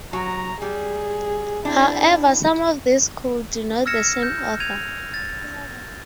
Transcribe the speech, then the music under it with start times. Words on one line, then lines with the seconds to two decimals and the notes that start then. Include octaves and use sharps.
However some of these could denote the same author.
0.13 F#3 A#5
0.62 G3 G#4
1.65 C4 D4 E4
3.86 E6 F6 G#6 A#6 C#7 E7
4.23 G6
4.60 G#6 D#7 F7
5.14 A6